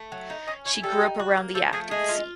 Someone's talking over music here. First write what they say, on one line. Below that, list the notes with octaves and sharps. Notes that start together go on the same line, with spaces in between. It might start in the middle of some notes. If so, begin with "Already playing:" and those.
She grew up around the acting scene.
Already playing: A3
F#3
D#4
C#4 D#5
E4 C#5
G3 A4
D#4
F#4
A#3
F3 A4
A3 G#4
G#3 G#4
F4